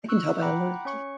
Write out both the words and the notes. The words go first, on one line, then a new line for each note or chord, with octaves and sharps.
I can tell by your loyalty.
C#6 E6 F#6
F#5 G5 A#5 B5 D6 F#6
C#4 C#5 C#6 C#7